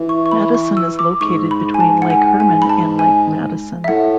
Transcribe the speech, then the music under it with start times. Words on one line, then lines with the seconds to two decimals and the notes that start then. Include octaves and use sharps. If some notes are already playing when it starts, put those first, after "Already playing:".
Madison is located between Lake Herman and Lake Madison.
Already playing: E3
0.09 C#6
0.26 C#6
0.31 B5
0.55 C#6
0.77 E6
0.99 D6
1.21 G#2 C#6
1.51 B5
1.74 G#5
1.80 A5
2.02 F#5
2.10 G#5
2.40 G#5
2.62 B5
2.69 A5
2.99 G#5
3.84 E5
3.88 A2 F#5